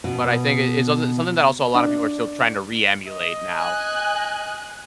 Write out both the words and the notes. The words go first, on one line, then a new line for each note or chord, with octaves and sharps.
But I think i it's some something that also a lot of people are still trying to re-emulate now.
B2
D4
D#5
G#5 F#6